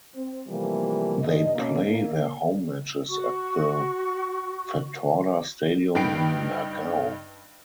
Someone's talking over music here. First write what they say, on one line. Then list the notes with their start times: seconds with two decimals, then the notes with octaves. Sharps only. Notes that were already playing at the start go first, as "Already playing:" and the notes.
They play their home matches at the Fatorda Stadium in Margao.
0.14 C4
0.48 C3 E3 F3 G3 A3 A#3
1.21 G2 D#5
1.55 B2 A#3 C#4
1.87 A#3
3.09 F#4 C#6
5.95 G2 D#4 B4 G5 C7 D7